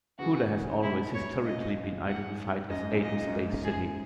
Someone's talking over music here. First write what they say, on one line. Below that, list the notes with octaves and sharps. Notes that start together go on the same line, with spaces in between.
Houta has always historically been identified as Aden's base city.
C#3 E3 F#4
G#2 B2 E4
C#5
F#2 A#2 D#5
G#2 F#5
F#2 D#5
G#2
F#2 A#2
D#5
F#2
G#2
F#2
G#4